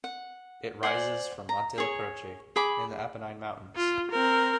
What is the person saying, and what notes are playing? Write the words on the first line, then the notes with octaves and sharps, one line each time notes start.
It rises from Monte la Croce in the Apennine Mountains.
F#5
C5 D5 F#5 G#5
A#5
G#4 C#5
G#4 B5 D6
F4
C4 A#4